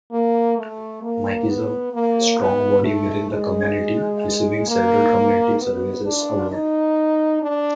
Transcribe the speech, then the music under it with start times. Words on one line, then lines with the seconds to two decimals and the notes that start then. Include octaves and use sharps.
Mike is a strong body within the community receiving several community service awards.
0.12 A#3
0.57 A3
1.02 A#3
1.48 B3
1.94 A#3
2.40 B3
2.85 A3
3.30 G#3
4.67 A#3
5.59 B3
6.05 D4
6.50 D#4
7.42 D4